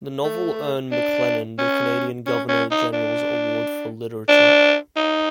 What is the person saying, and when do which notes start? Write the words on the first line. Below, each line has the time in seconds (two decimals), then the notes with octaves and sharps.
The novel earned MacLennan the Canadian Governor General's Award for literature.
0.24 A3
0.91 D4
1.59 C#4
2.26 C#4
2.48 C#4
2.71 D#4
2.93 D4
4.28 D4
4.96 D#4